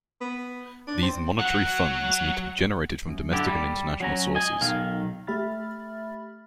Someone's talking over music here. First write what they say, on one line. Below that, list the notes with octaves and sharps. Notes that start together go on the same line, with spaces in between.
These monetary funds need to be generated from domestic and international sources.
B3
D4
C4
F#3 F#5
F#2
D3 D4 E4 G4
G3
F#3 C#4 A#5
D#5 G#5
B1 D#3 F5
A3 G4 E5 B5 F6 A6